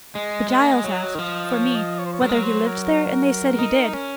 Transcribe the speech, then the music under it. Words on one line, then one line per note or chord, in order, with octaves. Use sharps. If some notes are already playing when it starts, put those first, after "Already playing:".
But Giles asked, for me, whether he lived there, and they said he did.
G#3 D#5
G#3
A#3
G#3
F#3
D#3
F3
C#5
D#5
C#5
C5
C#5
F#3 A#4
G#3
F#3
C5
A#4
D#4
C#4